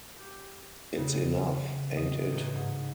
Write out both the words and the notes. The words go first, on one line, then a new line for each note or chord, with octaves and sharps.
It's enough, ain't it?
G4
C#3
D#5
A1
G#2